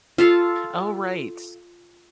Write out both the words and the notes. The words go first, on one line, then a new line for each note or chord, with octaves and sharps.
Oh, right.
F4 A4 F5